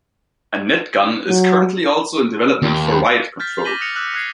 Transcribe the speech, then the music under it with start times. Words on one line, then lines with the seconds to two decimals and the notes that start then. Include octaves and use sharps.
A net gun is currently also in development for riot control.
1.29 F#3
2.62 D#2
3.40 F6 G6 A6 B6
3.64 D6 A#6 B6 D#7 F#7 G7
3.80 D#6 F#6 A#6 C#7 F7
3.95 E6 F#6 F#7
4.13 D#6 F#6 G#6 C7